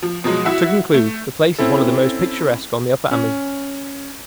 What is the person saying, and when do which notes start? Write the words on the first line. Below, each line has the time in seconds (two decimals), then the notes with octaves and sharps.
To conclude, the place is one of the most picturesque on the Upper Amazon.
0.02 F3
0.24 B2 F3 F#3 G#3
0.45 E4 F#4 E5 F#5
0.94 A3
1.59 C4 C#4 E4 A4
3.11 C#4